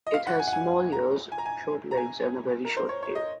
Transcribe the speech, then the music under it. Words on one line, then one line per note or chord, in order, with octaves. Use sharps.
It has small ears, short legs and a very short tail.
D#5
F5
F#5
G#5
F#5
G#5
A#5
G#5
A#5
G#5
A#5
G#5
A#4
C5
C#5
C#5
D#5